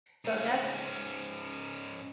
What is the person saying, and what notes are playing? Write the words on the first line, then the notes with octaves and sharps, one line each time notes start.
so, that's
G#2 C#4